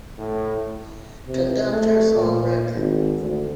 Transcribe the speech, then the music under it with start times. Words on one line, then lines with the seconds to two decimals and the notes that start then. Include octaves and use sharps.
"Conductors on Record".
0.18 A2
1.27 C3
1.72 A3
2.15 A#2
2.74 G#1
3.19 D2